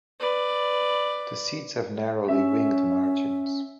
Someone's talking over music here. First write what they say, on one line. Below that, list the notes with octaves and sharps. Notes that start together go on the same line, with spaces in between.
The seeds have narrowly winged margins.
B4 D5
C#4 E5